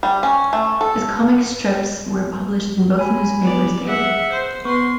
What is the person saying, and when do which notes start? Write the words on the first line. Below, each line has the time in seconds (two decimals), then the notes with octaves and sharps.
His comic strips were published in both newspapers daily.
0.03 G3
0.23 C#4
0.53 A3
0.81 A4
2.99 G#5 B5
3.43 B3 D5
3.87 G#4 E5 F#5
4.32 C5
4.65 B3 B4 C6 C#6